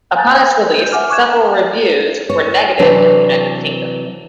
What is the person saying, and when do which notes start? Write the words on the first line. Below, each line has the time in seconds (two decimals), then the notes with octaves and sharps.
Upon its release, several reviews were negative in the United Kingdom.
0.16 F5 G#5 A#5 F#6 G6 A6
0.32 C5 G6
0.80 G6
0.92 E5 F#5 G#5 D6 F6
1.10 C#6 D6 F#6 G#6 E7
2.30 C#5
2.79 C3 E3 F#3 D4 B4 C5